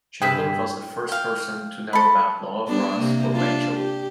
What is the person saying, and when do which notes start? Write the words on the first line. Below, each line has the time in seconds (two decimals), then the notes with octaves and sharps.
Chandler was the first person to know about love of Ross fro rachel.
0.22 G2 G#4 B4 G5 E6
1.09 F5 G5
1.93 A4 B5
2.68 G3 B3 D4
2.97 C3 A#3
3.33 D4 F4
3.73 G4